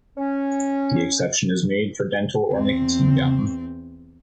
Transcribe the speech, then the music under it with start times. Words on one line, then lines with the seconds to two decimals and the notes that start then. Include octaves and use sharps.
The exception is made for dental or nicotine gum.
0.18 C#4
2.50 E2 C4